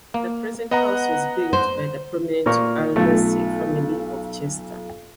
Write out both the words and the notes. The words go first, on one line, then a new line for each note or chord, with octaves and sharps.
The present house was built by the prominent Aldersey family of Chester.
A#3
B3 D#5 F#5 A#5
C5
A#2 A#4 C#6
B1 A3 F4